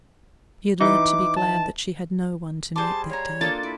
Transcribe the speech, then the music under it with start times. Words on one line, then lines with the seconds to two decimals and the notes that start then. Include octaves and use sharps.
She had learnt to be glad that she had no one to meet that day.
0.81 E3 D#4 D6
1.36 A5
2.76 G3 G#4 C5 A5 C6 D6
3.10 C#5 F5 A#5
3.41 A#3 D4 F4 A4 D#5 A6
3.63 E4 D5